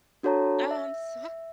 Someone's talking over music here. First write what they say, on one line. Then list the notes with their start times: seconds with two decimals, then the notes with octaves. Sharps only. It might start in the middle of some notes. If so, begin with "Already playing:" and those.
Oh, I'm so
0.23 D4 F#4 A4 C#5 A5 A#5
0.71 E5